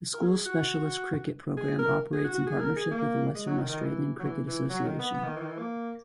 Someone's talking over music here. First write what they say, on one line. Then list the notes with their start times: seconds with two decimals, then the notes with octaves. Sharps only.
The school's specialist cricket program operates in partnership with the Western Australian Cricket Association.
0.14 A#4
0.22 G#4
0.46 F#4
1.57 G#4
1.79 A#4
2.13 G#4
2.24 F#4
2.35 F#4
2.46 G#4
2.60 A#4
2.76 G#4
2.91 A#3
3.35 G#3
3.47 F#3
3.58 D#3
3.69 D#3
3.80 E3
4.19 F#3
4.24 E3
4.47 E3
4.69 F#3
4.84 D#3
4.99 B3
5.14 B3
5.24 D#3
5.36 E3
5.41 D#3
5.48 E3
5.58 A#3